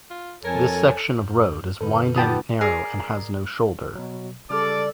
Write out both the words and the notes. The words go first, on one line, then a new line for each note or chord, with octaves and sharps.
This section of road is winding, narrow and has no shoulder.
F4
F2 A4 A#4 C#5 G#5
F#2
F#2 D3 A4 B4
D#3 F#3 B3 F4 G4 G5 A5 D#6
G#4 A#4 D5 A#5
B2 F#3
C#3 G3 A4 D5 D6 F6